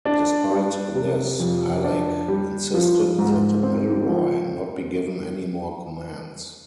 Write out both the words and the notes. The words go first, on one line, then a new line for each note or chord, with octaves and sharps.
Despite this, Halleck insisted that Milroy not be given any more commands.
D4
G3
C3
F2
D4
G3
F3
G#2
C4
F3